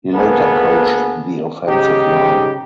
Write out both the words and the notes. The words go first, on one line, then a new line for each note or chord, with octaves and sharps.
He later coached the offensive line.
D2 A#3 B3 G#4 A4 B4
G#2 C#3 D#4 G4